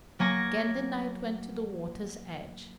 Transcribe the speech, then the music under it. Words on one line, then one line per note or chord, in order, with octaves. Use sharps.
Again the knight went to the water's edge.
F#3 A#3 G#5 C#6 A#6